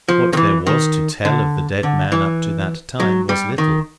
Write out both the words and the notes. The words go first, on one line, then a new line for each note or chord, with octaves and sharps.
What there was to tell of the dead man, up to that time, was little.
F3
D#3
E3
D#3
D3
D3
E3
F#3
G3
D#3